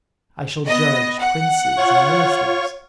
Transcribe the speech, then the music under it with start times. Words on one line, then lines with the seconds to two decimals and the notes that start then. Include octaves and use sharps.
I shall judge princes and ministers.
0.66 B3 D#5
1.19 F#5
1.78 F4 C#5 C#6